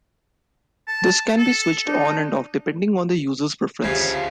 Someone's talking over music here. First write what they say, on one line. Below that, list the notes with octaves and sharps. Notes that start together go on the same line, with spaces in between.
These can be switched on and off depending on the user's preference.
A5
A4
D4 D#4
D2 C#3 F4 G4 G#4 C5 E5 F5